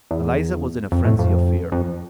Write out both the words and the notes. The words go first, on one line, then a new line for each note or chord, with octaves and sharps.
Eliza was in a frenzy of fear.
E2
F2
A2
F2
F2